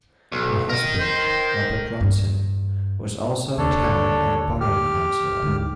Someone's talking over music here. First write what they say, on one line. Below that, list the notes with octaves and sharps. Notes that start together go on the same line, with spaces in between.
Her husband, Robert Ronson, was also a town and borough councillor.
B1
A#4 D#5
C5
G2
D#2 D3 D4 A4 C#5
G4 F6
D2 G#2